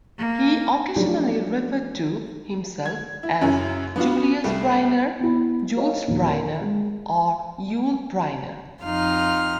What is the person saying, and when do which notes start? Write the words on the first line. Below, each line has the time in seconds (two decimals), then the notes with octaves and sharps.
He occasionally referred to himself as Julius Briner, Jules Bryner or Youl Bryner.
0.19 A#3
0.96 F3 F#3 A3 D4 D#4 G4
2.85 G#6
3.23 E4
3.41 F#2 C#3 F#3 C#4 E4
3.96 B3 D4 F4 F#4
4.44 C2 G3 A3
5.20 B3 E4
5.77 A#4 C#5 D#5 F5
6.08 D#2 A#2 F3
6.26 A#3
6.61 G#3
8.84 F2 D#4 F4 F6